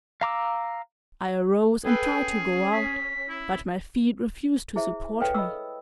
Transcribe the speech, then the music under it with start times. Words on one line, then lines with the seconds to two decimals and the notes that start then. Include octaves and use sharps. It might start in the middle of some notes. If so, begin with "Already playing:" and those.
I arose and tried to go out, but my feet refused to support me.
0.21 F5 A#5 D6 E6
1.85 G#4 A4 B4 G5
2.19 C#4
2.73 B6
3.29 E4
4.76 E4 G#4 C5 E5
5.20 A4 B4 C#5 F5 G5
5.34 D#5 B5 D#6 E6